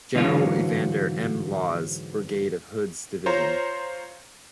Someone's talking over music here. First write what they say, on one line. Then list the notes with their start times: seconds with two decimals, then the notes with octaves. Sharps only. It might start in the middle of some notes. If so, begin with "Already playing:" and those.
General Evander M. Law's brigade of Hood's division.
0.15 G#2 D3 E3 F#3 F4
3.26 F4 C5 C#5 A#5